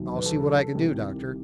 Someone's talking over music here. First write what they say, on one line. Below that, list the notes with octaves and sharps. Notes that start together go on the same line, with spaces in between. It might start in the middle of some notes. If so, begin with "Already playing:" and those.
"I'll see what I can do, Doctor."
Already playing: E1 D#2 D#3 F#3
B4
A4
C2 C3 D#3 G4